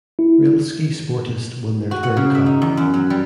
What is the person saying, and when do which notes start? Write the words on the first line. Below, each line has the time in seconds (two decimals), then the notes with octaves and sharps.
Rilski Sportist won their third cup.
0.19 E4
1.91 F#4
2.03 F#5
2.17 C#3
2.35 E5
2.46 D#4
2.62 E2
2.77 F#2
2.94 F#3
3.10 G3